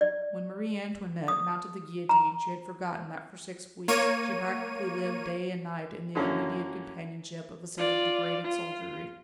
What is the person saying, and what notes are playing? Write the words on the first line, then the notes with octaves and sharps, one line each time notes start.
When Marie Antoinette mounted the guillotine she had forgotten that for six weeks she practically lived day and night in the immediate companionship of a set of degraded soldiery.
D5
D#6
A#5
A#3 C#5 D#7
F#2 D3 E3 A#3 C#4
F4 D5
F4